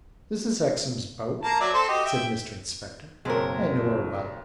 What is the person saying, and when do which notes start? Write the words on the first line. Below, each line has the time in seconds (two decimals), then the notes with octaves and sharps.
'This is Hexam's boat,' said Mr Inspector. 'I know her well.'
1.43 A#3 A5 A#5
1.60 F#3 D5 E5
1.73 C4 A4 C6
1.89 F#4 G4 D#5
2.05 E5 G5
3.25 F#1 B1 G#3 C4 A#4 C#5